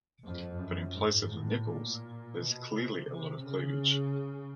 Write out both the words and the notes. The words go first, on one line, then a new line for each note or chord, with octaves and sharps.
But in place of the nipples there's clearly a lot of cleavage.
F2
F#2
G#2
A2
A#2
B2
C3
C#3